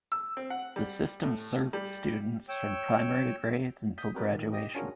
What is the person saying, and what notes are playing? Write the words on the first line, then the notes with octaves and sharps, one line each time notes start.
The system served students from primary grades until graduation.
E6
C4
F#5
G3
A2
G3
C#5 G5 E6
D#6 G6 B6
C4 F#4 G#4 A#4 B4 D5
A#2 D#3
G4 D#5 G5 D#6 A#6
C#4 D4 F4 F#4 G#4 A#4